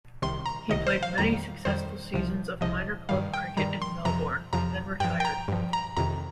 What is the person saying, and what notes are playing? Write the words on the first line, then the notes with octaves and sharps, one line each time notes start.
He played many successful seasons of minor club cricket in Melbourne, then retired.
C2 C3 D#3 C6
A#5
C2 C3 D#3 D#5
C5
F5
F2 D#3 G3 A#5
F2 D#3 G3 C5
C2 C3 F3
C2 C3 F3 D#5
G2 D#3 G3 F5
G5
G2 D#3 G3 A#5
C6
F2 C3 F3 A#5
F2 C3 F3 A#5
G2 F3 G5
G5
A#5
G2 F3
A#5
F2 C3 D#3 A#5